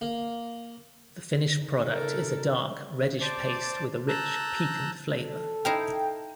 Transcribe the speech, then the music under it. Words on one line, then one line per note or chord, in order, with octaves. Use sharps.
The finished product is a dark, reddish paste with a rich, piquant flavor.
A#3
C#3 D#4
A4 A#4
C5 D5 A5 D6
A5 A#5 E6 F#6 G6
A4
D#4 E4 F5 G5